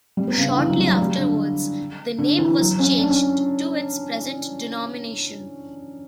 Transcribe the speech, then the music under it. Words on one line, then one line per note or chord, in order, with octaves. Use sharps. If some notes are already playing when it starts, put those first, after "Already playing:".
Shortly afterwards, the name was changed to its present denomination.
G3
B3
C#3
D3
E3
F#3
G3
F#3
G3
D3
D3
E3
F#3
C#4
D4
C#4